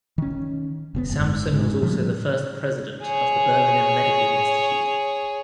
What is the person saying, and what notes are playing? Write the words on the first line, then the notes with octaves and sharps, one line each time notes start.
Sampson was also the first president of the Birmingham Medical Institute.
D#3 C#4
F1 A2 B3
F#1 G#2
G#2
A2 F3 G3
G#4 C#5